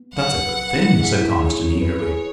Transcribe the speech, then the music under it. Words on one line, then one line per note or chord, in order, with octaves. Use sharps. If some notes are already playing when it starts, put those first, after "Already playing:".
"That's a good thing," said Conniston, eagerly.
Already playing: B3
F#3 F#5
B4
B4
E4
G#4 E5
E4
G#4 C#5
E4
B4
G#4